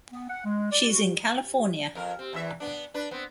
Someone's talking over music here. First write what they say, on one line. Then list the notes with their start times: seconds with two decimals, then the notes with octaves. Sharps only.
She's in California.
0.12 B3
0.29 F#5
0.45 G#3
0.71 D5
0.89 F#4
1.95 F2 A#4
2.19 C4
2.33 E2 E3 E5
2.60 B3 D4
2.94 D4 B4
3.11 B3 C4